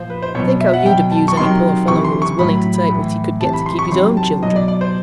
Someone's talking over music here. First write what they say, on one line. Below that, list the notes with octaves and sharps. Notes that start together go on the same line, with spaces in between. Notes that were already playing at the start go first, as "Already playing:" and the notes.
Think how you'd abuse any poor fellow who was willing to take what he could get to keep his own children.
Already playing: A#2 F3 C5
B4
C5
B2 F#3 C#5
E5
F#5
B2 F#3 G5
A5
C#6
C3 D#3 F#3 C6
C3 E3 C#6
C6
C#6
A2 F#3 B5
A2 E3
C3 E3 A5
B5
C6
C#6
C3 D#3 F#3 C6
A5
B2 F#3 D#5
D5
D5
C5